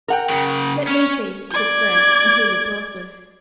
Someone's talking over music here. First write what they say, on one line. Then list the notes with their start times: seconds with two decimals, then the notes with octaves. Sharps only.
"Let me see," said Frere; and he looked also.
0.08 A#4 F#5 G5
0.30 C#3 F#3
0.87 C#4 C#5
1.51 D5 G#6